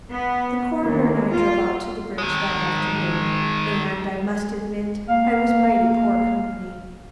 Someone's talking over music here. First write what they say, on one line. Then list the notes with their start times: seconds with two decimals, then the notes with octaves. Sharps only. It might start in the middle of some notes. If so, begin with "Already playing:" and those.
The coroner and I drove out to the bridge that afternoon and I must admit I was mighty poor company.
0.11 B3
0.83 D#2
1.31 F4
2.18 D#3 G#3
5.08 A#3 F5